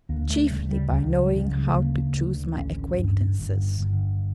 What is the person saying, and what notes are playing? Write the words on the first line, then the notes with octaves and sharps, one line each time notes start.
Chiefly by knowing how to choose my aquaintances.
D2 A#3
A3
C#3 G3
G3
C#2
F3
G3
C#3 F3
G3
G3
A3
D2 A#3
D2
A1 C#4
G2
G1
G1